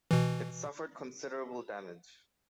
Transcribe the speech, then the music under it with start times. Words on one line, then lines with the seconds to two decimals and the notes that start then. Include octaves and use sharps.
It suffered considerable damage.
0.11 B2 E3